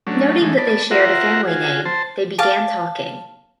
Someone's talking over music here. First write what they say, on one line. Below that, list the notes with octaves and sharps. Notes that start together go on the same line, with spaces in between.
Noting that they shared a family name, they began talking.
F#3 A3 C#4 D4
E3 G#3 A3 D#4
B3 D5 A5
F4 F#4 A#4 C5 E5 F#5
F4 F#4 G#4
C5 A5
F5 A5 D6